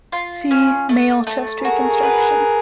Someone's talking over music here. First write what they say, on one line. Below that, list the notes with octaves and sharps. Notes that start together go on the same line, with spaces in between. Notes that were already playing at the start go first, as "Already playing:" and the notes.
See Male Chest Reconstruction.
F4
C#4
A3
A3
F#4 G#4 A#4
B4